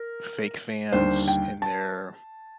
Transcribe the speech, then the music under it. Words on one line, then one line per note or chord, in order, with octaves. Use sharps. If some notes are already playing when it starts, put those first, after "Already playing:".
fake fans in their
Already playing: A#4
D#2 D3 G3 C5
G5
A5